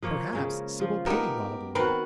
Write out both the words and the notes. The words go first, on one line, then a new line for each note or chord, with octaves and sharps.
Perhaps Sybil pitied Ronald a little.
F3 A#3 C#5
C#3 G#3 C#4
F3 F4
B3 D#4 G4 A4 A#4
D#3 C4 F#4 A#4 B4